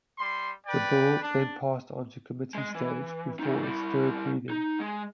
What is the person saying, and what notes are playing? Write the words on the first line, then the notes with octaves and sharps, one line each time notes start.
The Bill then passed on to Committee Stage before its third reading.
G3 C6
B4 D5 G5
D4
G#3 D#5
E3
E3 D#4
G3 E4
D#4
G#3